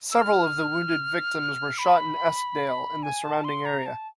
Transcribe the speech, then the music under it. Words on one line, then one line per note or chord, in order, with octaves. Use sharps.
Several of the wounded victims were shot in Eskdale and the surrounding area.
E6
F6
B5
G#5
A5
C6
A#5
A5